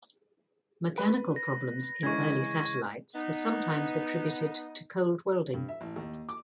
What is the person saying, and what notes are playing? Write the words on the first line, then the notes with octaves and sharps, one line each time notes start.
Mechanical problems in early satellites were sometimes attributed to cold welding.
B4
A#6
C#3 E3 G#3 C#6 G#6
B3 D#4
G2
E5
A1
D#2
D6